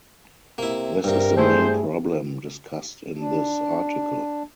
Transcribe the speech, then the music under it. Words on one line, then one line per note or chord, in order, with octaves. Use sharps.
This is the main problem discussed in this article.
C3 A#3 E4
G2 C3 A#4
A3 E4 G#4 C5
D4